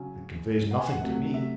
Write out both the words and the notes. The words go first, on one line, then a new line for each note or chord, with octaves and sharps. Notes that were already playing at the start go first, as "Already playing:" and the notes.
"It conveys nothing to me!"
Already playing: C#3 F#3 C#4 G#5
F#5
G#5
F#5
C3 F#3 A3
E5